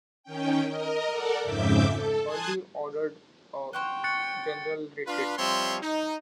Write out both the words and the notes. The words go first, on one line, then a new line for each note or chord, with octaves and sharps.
Early ordered a general retreat.
D#3 C#4 G5
A#4 D#5
A4 A#4 D5 F#5
F2 G#2 C#3 E5 D6 G6
A4
G#5 A5 C6 D#6 F#6 G#6
C5 C#5 F#5 G5
C#6 F#6 A6 C#7
D4 F4 B4
F3 G3 C4 C#5 E5 C6
D#4